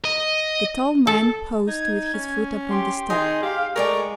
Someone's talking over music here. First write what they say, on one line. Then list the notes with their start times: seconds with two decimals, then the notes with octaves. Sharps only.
The tall man paused with his foot upon the step.
0.05 D#5
1.07 A4
1.68 D#4 G#6
2.14 C#4
2.70 G4 C6
3.10 D#3 D#4 G#4
3.43 G4 F5
3.76 G#3 A3 A#4 D5 G5 C#6